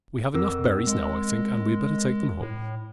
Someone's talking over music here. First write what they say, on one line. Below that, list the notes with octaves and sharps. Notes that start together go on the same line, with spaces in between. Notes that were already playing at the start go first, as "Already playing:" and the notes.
We have enough berries now, I think, and we had better take them home.
F2 C4 A#4 E6
G#3
A2